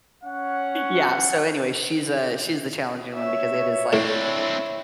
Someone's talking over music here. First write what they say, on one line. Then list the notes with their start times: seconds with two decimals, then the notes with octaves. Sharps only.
Yeah, so anyway, she's, uh, she's the challenging one because it is like,
0.24 C#4 C#5 F#5
3.15 C#5 E5
3.93 A2 C4 D4 E4